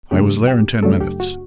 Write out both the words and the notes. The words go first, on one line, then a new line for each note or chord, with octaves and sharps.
I was there in ten minutes.
F#2 C#3 F#3 A3 D4 G4
G4
F#2 C#3 F#3 A3 D4 A4
G4
F#4